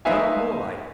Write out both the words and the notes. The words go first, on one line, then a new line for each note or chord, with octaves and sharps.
Turn on more light.
D#4 B4 C5 E5 F5 G#5